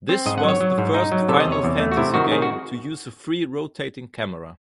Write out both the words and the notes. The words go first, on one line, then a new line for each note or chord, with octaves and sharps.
This was the first "Final Fantasy" game to use a free rotating camera.
C4
G#2 D#5
F#5
F#3
C#5
F#3
G#2
D#4
F#3
C3 A4
D#5
E2
C#5
E2
A3
F#4
C3 E4
D#3 F#4
D#3 G#4
F#4